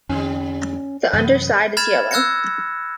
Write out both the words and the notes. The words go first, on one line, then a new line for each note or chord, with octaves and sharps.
The underside is yellow.
F2 D3 G3 C#4
F#2 C3 E3 B3 B4
B5 F6 G#6 A6 E7
E6 F#6 G#6 A#6 C#7